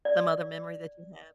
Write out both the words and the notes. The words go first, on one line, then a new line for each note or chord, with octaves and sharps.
some other memory that you have?
D5